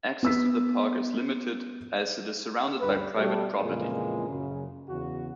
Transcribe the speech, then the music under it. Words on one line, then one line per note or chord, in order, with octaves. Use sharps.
Access to the park is limited as it is surrounded by private property.
B3 E6 B6
D2 G2 G3 B4
B2 G3 A3
F2 A#2 C#3 E3 G#3 A#3
F#2 C#3
E2 C#3 F#4